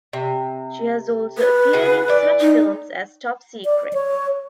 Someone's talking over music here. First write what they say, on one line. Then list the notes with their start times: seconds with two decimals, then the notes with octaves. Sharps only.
She has also appeared in such films as Top Secret!
0.13 C3
1.38 B4
1.73 C#3 F#4 G#4
2.08 E3 D5
2.41 D#4
3.65 D5
3.93 C#5